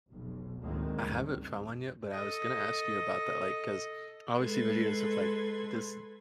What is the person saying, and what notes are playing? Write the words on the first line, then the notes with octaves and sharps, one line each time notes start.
I haven't found one yet, but I was gonna ask you about that, like, 'cause I always see videos of, like, this
F1 B1
D2 A2 D#3 G#3 A#3 C4
C#2 G2
A4 D#5
G#3 A4 B4 C6 G#6